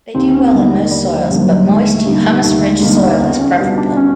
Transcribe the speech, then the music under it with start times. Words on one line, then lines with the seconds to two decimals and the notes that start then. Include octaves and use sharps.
They do well in most soils, but moist, humus-rich soil is preferable.
0.15 D#2 C4
0.34 C#4
0.44 C4
0.53 D3 G3 A#3 B3 D#4
0.73 G#3
0.91 D#2 G3
1.17 F3
1.30 D3 G3 A#3 D#4
1.42 F#3
1.68 D#2 G#3
1.93 A3
2.06 D3 G3 A#3 D#4
2.44 D#2 A3
2.69 G#3
2.82 D3 G3 A#3 D#4
2.95 B3
3.09 A#3
3.20 C#2 B3
3.39 C#4
3.58 B2 G3 B3 D4
3.78 D4
3.97 C#4